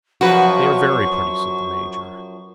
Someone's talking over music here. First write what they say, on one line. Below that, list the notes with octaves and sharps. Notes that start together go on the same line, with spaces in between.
"They are very pretty," said the major.
F#2 F3 F#4 B4 C#6